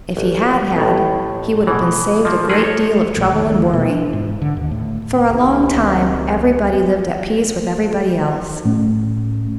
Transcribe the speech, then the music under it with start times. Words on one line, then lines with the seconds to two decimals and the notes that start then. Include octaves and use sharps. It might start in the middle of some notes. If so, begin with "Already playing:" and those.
If he had had, he would have been saved a great deal of trouble and worry. For a long time everybody lived at peace with everybody else.
0.17 A1
0.77 A1 A2
1.67 B2 E3
2.25 F3 A#3
2.49 F3 A3 D#4 G#4 A#4 B4
2.64 A4 C#5
3.17 A#1
3.32 D#2
3.46 D#2
3.73 B2
3.90 D4
4.13 G#2
4.42 D3
4.57 D#2
4.71 A2
5.29 C#2 C3 D#3
8.65 A2 A3 C#4